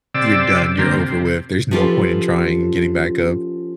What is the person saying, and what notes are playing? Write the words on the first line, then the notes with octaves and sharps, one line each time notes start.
You're done, you're over with, there's no point in trying getting back up.
C3 D5 E6
F2 D3 A#3 C4
C3
F3 C#4 F4 G4 A4 B4